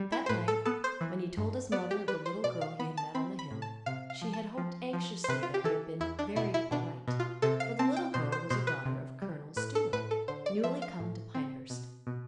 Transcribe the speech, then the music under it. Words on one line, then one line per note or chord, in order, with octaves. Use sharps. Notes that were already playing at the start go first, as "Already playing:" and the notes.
That night, when he told his mother of the little girl he had met on the hill, she had hoped anxiously that he had been "very polite," for the little girl was a daughter of Colonel Stuart, newly come to Pinehurst.
Already playing: G3
E4
C5
A2 B4
A4
B3 A4
C5
E3
G2
B3 D5
G4
G3 B4
C5
B2 D5
F5
B3 B5
A5
C4 B5
B5
A2
A5
C3 F5
F5
F3
A5
F3
F3
C5
C3 B4
F4
G4
E3 A4
E2 E4
D4
B2 E4
E4
B2 D4
B2
F4
C3 A4
F5
C4 A5
G5
B2 C5
C5
B2 C5
B4
C3
G3
A2 B4
A4
A2 B4
A4
D3 C5
D5
F3 E5
F5
A2
C4
B2
B2